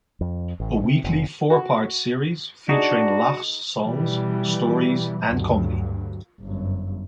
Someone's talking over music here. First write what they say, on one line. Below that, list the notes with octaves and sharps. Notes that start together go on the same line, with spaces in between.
A weekly four-part series featuring Lach's songs, stories and comedy.
F2
A1
C3
F1
F#4
D4 D#4 F#4 G#4
B2 E3 G3
D2 G2 F#3
G1 F#2